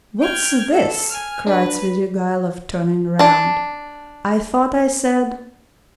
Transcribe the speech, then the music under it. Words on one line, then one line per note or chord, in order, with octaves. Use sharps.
"What's this?" cried Svidrigailov turning round, "I thought I said..."
G5 F6 G#6
A4
G#5 F6
D4 B4
D4 A5